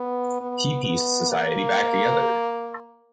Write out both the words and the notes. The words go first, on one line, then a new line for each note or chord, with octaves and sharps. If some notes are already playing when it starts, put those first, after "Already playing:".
He pieced society back together.
Already playing: B3
B3
B3
A#3